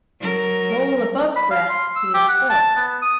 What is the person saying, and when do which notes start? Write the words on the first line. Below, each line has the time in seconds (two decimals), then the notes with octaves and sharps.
Mole above breath Means wealth.
0.20 F#3 A#4
1.36 B5
1.51 F5
1.69 C6
1.96 E6
2.14 G4
2.29 F#5
2.50 A5
2.76 B3
3.02 D#6